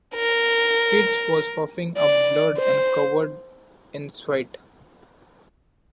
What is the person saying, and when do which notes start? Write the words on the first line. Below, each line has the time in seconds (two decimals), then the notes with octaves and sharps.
Keats was coughing up blood and covered in sweat.
0.16 A#4
1.98 D5
2.58 C5